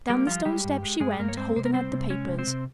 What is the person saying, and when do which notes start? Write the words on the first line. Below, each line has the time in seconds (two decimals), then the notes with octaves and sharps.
Down the stone steps she went, holding out the papers.
0.10 G3 A#3
0.27 F3 G3 F4
0.45 G3 G#3 G4
0.64 G2
0.83 G#3
1.00 G2 G#3 G#4
1.19 G2 A#3 A#4
1.29 C#5
1.37 G#3 C4 C5
1.56 C3 C5
1.65 A#4
1.73 G3 C4 C5
1.93 C3
2.10 G#3 C#4 C#5
2.28 C3
2.39 C4 C5
2.47 C3